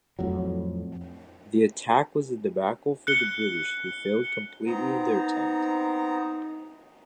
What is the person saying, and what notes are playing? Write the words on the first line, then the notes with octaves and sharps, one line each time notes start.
The attack was a debacle for the British, who failed completely in their attempt.
F2 A2 F#3
F#6 C#7 G7
B3 C4 D#4 A#5